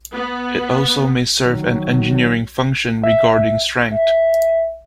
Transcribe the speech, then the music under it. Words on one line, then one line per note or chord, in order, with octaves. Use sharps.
It also may serve an engineering function regarding strength.
B3
D#3 F#3
E5
E5